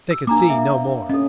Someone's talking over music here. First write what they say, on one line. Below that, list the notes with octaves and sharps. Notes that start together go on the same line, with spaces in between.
They could see no more.
E6
A#3 D4 A#5 D6
E5
C#5
C#4 A4 D#5